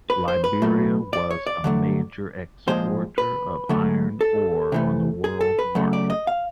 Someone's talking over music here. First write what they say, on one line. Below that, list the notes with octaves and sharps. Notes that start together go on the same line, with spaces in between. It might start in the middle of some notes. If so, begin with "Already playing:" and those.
Liberia was a major exporter of iron ore on the world market.
B4
C5
B4
A2 F#3 A3
D5
C#5
D5
D3 F#3 A3
A#2 F3 G#3 C5
B4
D3 F#3 A3
A4
C3 E3 A3
G#4
A4
B4
C#3 F#3 A3
D5
D#5
F5